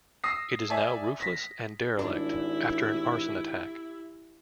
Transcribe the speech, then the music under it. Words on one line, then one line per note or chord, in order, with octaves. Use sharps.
It is now roofless and derelict after an arson attack.
D#6 E6 A#6 C7
D5 E5 G#5 A5
A#6 B6
G#1 D4 E4 G4